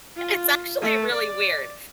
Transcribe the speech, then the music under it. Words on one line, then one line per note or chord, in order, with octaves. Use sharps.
It's actually really weird.
F4
A3
D5